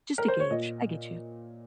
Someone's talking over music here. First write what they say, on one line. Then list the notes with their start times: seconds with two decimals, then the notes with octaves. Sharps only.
Just to gauge. I get you.
0.18 A#4
0.28 C5
0.40 C#5
0.51 A#2 D#5